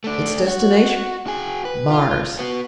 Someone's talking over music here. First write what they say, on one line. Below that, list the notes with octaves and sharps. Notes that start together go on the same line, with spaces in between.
Its destination--Mars!
A3 D4
F#4
F#4 G#4
B4
F4
B3 F#4